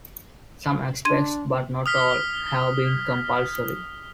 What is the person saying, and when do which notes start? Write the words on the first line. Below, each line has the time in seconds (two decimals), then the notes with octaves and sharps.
Some aspects, but not all, have been compulsory.
1.05 D4 C6 G#6 D#7
1.86 D#6 F6 B6 G7